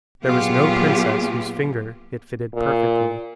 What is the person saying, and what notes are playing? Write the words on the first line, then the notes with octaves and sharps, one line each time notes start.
There was no princess whose finger it fitted perfectly.
A#2 F#3 B3 F4 G4 G#4
A#2